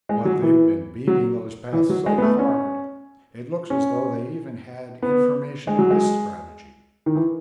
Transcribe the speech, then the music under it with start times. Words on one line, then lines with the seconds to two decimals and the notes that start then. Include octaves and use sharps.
But they've been beaming those paths so hard, it looks as though they even had information of this strategy.
0.09 G#3
0.25 F#3
0.42 E3
1.07 F#3
1.73 E3
1.90 F#3
2.06 G#3
2.18 B3
2.22 A3
2.39 C#4
3.70 C#4
5.02 B3
5.67 G#3
5.79 F#3
5.90 G#3
7.06 D#3
7.16 E3